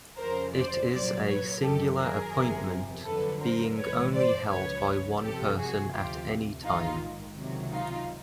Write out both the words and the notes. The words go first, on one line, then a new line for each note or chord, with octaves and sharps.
It is a singular appointment, being only held by one person at any time.
F2 C#3 F3 A#4 C5
C5 D5
C2 A#2 F#3 C5 D5
B4 C#5
F#2 D#3 F#3 G4 A4
G#4 A#4
G1 F2 C3 F3
F2 D3 F#3 A4 B4
A#4 C5
A#1 G#2 E3 B4 C#5
C5 D5
C#2 C#3 F3 B4 C#5
C2 C3 F3 G4 A4
F#4 G#4
D2 C3 F3 F4 G4
A#1 G#2 D#3 D#4 F4
C#2 C3 D#3 F#3
D#4 F4